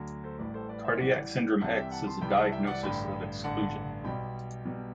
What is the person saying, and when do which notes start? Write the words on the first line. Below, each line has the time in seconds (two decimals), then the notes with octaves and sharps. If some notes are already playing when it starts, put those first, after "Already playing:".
Cardiac syndrome X is a diagnosis of exclusion.
Already playing: D2 D3 F#3
0.24 A4 C5
0.39 A1 A2 E3 G3 B4 D5
0.54 A4 C5
0.69 B4 D5
0.85 C5 E5
1.00 A1 A2 E3 G3 D5 F#5
1.61 C2 C3 E3 G3 F#5 A5
1.76 E5 G5
1.91 F#5 A5
2.07 A5 C6
2.21 C2 C3 E3 G3 G5 B5
2.37 F#5 A5
2.52 E5 G5
2.67 D5 F#5
2.83 A1 G2 D3 G5 B5
3.43 A1 G2 D3 F#5 A5
4.04 B1 B2 G3 G5 B5
4.65 B1 B2 G3